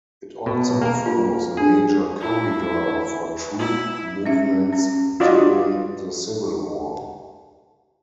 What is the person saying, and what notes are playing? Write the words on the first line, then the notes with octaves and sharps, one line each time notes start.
It also follows a major corridor for troop movements during the Civil War.
B2
A#3 A#4
F4
D4 G#4
E4
E4
C#4 E5
C#4
F4 F#4 D5 D#5